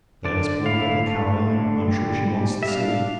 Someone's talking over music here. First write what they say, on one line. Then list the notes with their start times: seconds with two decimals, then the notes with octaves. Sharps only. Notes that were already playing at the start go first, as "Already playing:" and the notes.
There's poor little Caroline, I'm sure she wants the sea.
0.25 D3 D5
0.65 E4 F5
1.07 A3
1.47 D3
1.88 G3
2.27 G3
2.63 E5
2.68 D4 F5